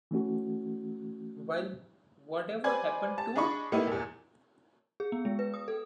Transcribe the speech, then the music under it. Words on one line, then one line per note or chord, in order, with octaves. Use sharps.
While Whatever Happened to...
E3 A3 C#4 F#4
B4 C5 D5 G#5 G#6
A5 A6
D4 G#4 D#5 B5 C#6
A2 A#3 B3 D#4 E4
E2 A#2
G#4
B3
G#3
B4
D#6
A4